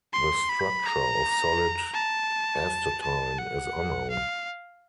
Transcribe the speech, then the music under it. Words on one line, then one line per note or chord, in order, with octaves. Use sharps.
The structure of solid astatine is unknown.
C6
B5
A#5
A5
A5
F#5
F5